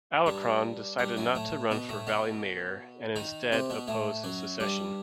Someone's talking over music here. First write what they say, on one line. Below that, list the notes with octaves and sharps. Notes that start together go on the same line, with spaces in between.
Alarcon decided not to run for Valley mayor, and instead opposed secession.
G2 G3
G2 G3
F#2 F#3
A2 A3
B2 B3
A2 A3
B2 B3
D#3 D#4
C3 C4
B2 B3
A2 A3
F#2 F#3
G2 G3